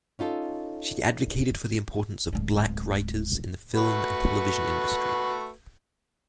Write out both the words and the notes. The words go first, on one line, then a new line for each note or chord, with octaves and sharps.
She advocated for the importance of black writers in the film and television industry.
C#4 D#4 F4 A4
D1 G#3
A3 F#4 B4